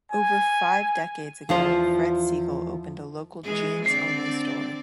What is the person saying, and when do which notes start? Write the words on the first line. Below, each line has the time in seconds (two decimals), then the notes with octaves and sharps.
Over five decades ago, Fred Segal opened a local jeans-only store.
0.12 G#5
1.49 E2 F3 F4 C5
3.44 E3 G#3 G#4
3.86 D3 C4 D5 C7